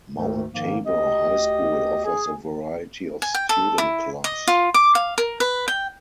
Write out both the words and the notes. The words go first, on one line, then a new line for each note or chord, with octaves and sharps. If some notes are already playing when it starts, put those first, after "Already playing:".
Mount Tabor High School offers a variety of student clubs.
D2 G#2 D#3 A3
G#2 D#3 F3 A#3
D2 G4 D#5
G#4
G#5
G5
A4
E4
D#5
F4
D6
F5
A#4
B4
G5